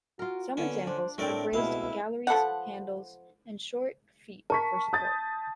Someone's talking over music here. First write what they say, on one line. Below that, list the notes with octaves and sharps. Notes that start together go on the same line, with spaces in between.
Some examples have raised galleries, handles, and short feet for support.
F4 F#4 A#4
D3 B3 C#4
D4 C5
A2 A3 C4 D4 A#4 D5
C#2 B2 E4 F5
F3 A4 B4 F#5
A#4 A5 C#6 B6
D#6 G6 A6